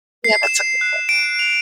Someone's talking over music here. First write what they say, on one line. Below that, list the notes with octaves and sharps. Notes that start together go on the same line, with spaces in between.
yeah, that's a good point.
C7
E7
F#6
D7
F7